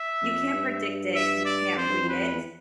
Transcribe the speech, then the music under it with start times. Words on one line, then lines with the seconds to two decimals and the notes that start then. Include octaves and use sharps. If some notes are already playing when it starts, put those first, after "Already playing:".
you can't predict it, you can't read it,
Already playing: E5
0.22 F2
0.53 G2
1.15 E5
1.45 D5
1.77 F2 C5
1.89 G2
2.01 F2
2.09 B4
2.33 E2